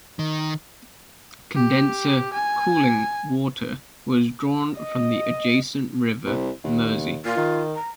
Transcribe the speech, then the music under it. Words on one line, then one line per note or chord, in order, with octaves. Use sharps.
Condenser cooling water was drawn from the adjacent River Mersey.
D#3
G4
G#5
D#5
C2
D#2
A#2 F4
D#3
A#5